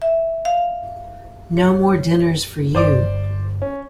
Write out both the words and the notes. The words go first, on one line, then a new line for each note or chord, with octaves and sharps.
No more dinners for you.
E5
F5
C#5
G1 C5 D5 D6
C#4